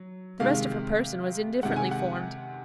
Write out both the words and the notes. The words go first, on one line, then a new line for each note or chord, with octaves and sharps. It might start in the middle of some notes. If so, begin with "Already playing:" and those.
The rest of her person was indifferently formed.
Already playing: F#3
C3 D#3 G#3 F5
C3 D#3 G#3 F#5
G#5
F#5